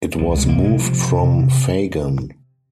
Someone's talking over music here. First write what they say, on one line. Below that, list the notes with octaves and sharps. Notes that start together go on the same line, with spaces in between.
It was moved from Fagan.
C#2 F3
C3 G#3
A#3
C3 G#3
C3 F3
C3
C3
C3